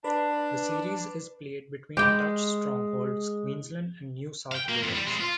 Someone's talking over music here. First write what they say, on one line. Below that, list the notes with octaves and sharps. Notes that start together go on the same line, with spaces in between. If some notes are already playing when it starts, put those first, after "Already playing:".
The series is played between Touch strongholds Queensland and New South Wales.
D4 B4
G#3 G4 G5
F5 G5
A#3
F2 E3
G3
G#3 C4
F4